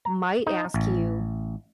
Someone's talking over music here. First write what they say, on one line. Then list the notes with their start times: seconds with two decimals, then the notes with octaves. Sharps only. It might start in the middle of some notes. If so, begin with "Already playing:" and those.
might ask you
0.05 A#5
0.47 D#4
0.74 A1